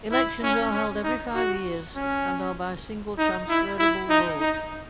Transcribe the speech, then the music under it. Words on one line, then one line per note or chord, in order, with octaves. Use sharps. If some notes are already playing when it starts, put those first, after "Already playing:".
Elections are held every five years and are by single transferable vote.
E4
C#4
C#4
D#4
F#4
C#4
D#4
E4
E4
D#4
D#4